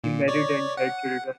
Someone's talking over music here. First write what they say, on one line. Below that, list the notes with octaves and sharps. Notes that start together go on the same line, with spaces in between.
He married and had children.
A#2
C#5 D5
F#5